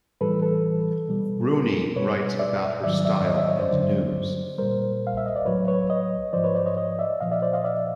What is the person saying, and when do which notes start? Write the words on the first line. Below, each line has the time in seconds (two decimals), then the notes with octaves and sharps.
Rooney writes about her style and news.
0.21 A2 E3 G3 A4 B4
0.42 A4 B4
1.09 B2 G3
1.48 A4
1.52 G#4 A#4
1.96 B2 G3 B4 C#5
2.39 D5 E5
2.83 G#2 D#3 F#3 D5 E5
3.05 D5 E5
3.27 C#5 D#5
3.38 D5 E5
3.49 C#5 D#5
3.59 C5 D5
3.71 G2 D3 F#3
4.58 A#2 G3 A#4 C5
5.07 F5
5.17 E5
5.26 D#5
5.36 D5
5.45 A2 F#3 B4 C#5
5.68 B4 C#5
5.90 C#5 D#5
6.33 G#2 F3 C5 D5
6.44 B4 C#5
6.55 C5 D5
6.66 C#5 D#5
6.77 C#5 D#5
6.99 D5 E5
7.21 A#2 F3 D#5 F5
7.31 D5 E5
7.42 C5 D5
7.53 D#5 F5
7.64 D5 E5